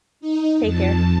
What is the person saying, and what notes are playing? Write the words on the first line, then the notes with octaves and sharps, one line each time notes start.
Take care.
D#4
F2 A5